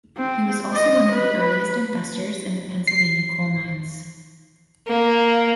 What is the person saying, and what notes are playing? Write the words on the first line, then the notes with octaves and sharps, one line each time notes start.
He was also one of the earliest investors in the Pennsylvania coal mines.
C4
D#5
B4
C7
A#3